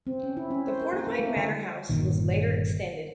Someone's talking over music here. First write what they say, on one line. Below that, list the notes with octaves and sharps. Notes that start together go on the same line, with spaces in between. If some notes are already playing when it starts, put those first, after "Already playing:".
The fortified manor house was later extended.
C4
C#4
E4
C#4
C5
A#4
A#3
A#3
A3
D3
G1 A#2 D#3